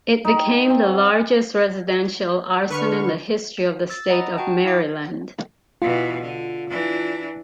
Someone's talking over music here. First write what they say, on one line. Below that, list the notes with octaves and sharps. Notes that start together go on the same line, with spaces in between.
It became the largest residential arson in the history of the state of Maryland.
D#4
G5
C4
F#4
D3 B4 C#6 F6
E6 A6
D#5 F#5 A#5 B5 D#6
F#4 F#5 G5 A5
E4 F5 D6
B2 E3 F4
D3
E3 D4